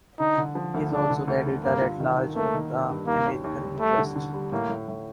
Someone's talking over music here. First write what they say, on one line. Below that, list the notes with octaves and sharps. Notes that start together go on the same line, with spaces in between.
He is also the Editor-at-Large of "The American Interest".
D3 D#4
D3
F3
D2
D3 D4
D3
D2
D3
G2 A#3
F4
D#3
D#3
A3 A#3
D#3
D#3
G2
D#2 A#3
D#2
D#2
G3
G3 A3
D3
D3
G3
A2 A#3
A2
A2